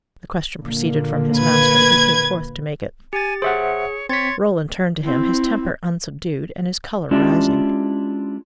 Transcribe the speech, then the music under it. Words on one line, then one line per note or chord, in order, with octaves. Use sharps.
The question proceeded from his master, who came forth to make it. Roland turned to him, his temper unsubdued, and his colour rising.
A#2 D3 A#3
B4 G#6
G4 G#5 A6
G#4 C5 C#5 E5 F#5
C4 C#5 C6 G#6 A6 B6
C4 E4
G#3 C#4 D4 E4 F4 G4